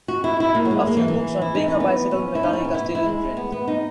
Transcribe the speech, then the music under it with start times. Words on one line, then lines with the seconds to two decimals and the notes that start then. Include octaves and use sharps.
A few books on being a bicycle mechanic are still in print.
0.08 F#4
0.24 E4
0.40 E4
0.55 A#3
0.65 F#3
0.71 G#3
0.87 A#3
0.97 E3
1.08 E3
1.42 E4
1.55 D#4
1.68 C#4
1.80 B3
2.11 C#4
2.35 E4
2.43 D#4
2.53 C#4
2.64 B3
2.74 E4
2.85 E4
2.95 E4
3.05 G#3
3.37 B3
3.52 B3
3.68 D#4